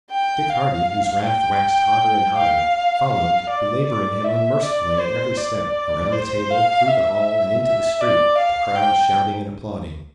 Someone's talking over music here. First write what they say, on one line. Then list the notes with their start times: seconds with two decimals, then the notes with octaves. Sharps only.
Dick Hardy, whose wrath waxed hotter and hotter, followed, belaboring him unmercifully at every step, around the table, through the hall, and into the street, the crowd shouting and applauding.
0.11 G5
0.49 F5
1.24 G5
2.36 F5
3.13 F5
3.50 D5
3.86 D5
4.24 E5
4.62 D5
5.00 C5
5.37 D5
6.12 C5
6.51 F5
6.88 E5
7.63 E5
8.01 D5
8.38 F5
8.75 G5